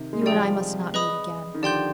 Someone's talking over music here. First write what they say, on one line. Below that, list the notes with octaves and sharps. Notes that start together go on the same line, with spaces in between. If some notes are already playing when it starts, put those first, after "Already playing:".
You and I must not meet again.
Already playing: C3 D#3
G#3
G3
F3 G#3 G#4 D5 G5
G#4 B4 D#5 B5 D#6
D#3
D3 F3 G4 D5 G5 C6 G6